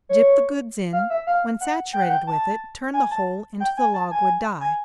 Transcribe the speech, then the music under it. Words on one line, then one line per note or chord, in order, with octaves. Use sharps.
Dip the goods in--when saturated with it, turn the whole into the logwood dye.
C#5
F5
E5
F5
F#5
G5
F#5
G5
A5
G#5
A5
G5
G#5
A5
G#5
G#5